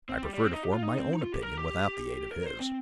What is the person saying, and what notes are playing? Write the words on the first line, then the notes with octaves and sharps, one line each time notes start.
"I prefer to form my own opinion, without the aid of his."
C4
G3
G3
C4
D#4
G4
F4
D#4
C4
D#4
F4
G4
A#4
G4
A#4
C5
C4